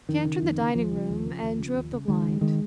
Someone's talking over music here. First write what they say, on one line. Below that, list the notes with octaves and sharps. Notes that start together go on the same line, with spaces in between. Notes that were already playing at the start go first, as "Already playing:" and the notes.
She entered the dining-room and drew up the blind.
F2 D#3
C#3
F2
C#3
D#2 F3
C#3
D#2
C#3
D#2
C#3
D#2
C#3
C#2 D#3 G#3
C#3
D#3 G#3